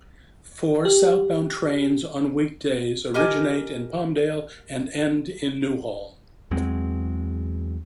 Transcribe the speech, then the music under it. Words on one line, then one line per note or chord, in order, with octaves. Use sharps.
Four southbound trains on weekdays originate in Palmdale and end in Newhall.
G4
G4 A#4 D#5 G#5
E2 F#3 G#3 C4